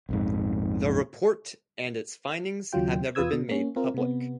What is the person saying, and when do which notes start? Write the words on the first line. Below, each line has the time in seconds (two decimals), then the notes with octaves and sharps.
The report and its findings have never been made public.
0.09 A#1 F2 G#2
2.73 D#2 C#3 F#3 F4 G5
3.15 E2 F4 B4 D#6 E6 G#6
3.33 B2
3.49 A#3 C#4
3.76 C4 F4 A#4
3.94 C3 B3